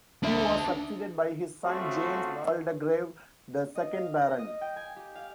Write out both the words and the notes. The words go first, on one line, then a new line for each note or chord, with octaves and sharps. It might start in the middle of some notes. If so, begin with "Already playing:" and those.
He was succeeded by his son James Waldegrave, the second Baron.
D4 E5
C#3 A3 C4 D4 F4 F#4
D#5
F5
A#6
D#5
G5
G#5
G4
F5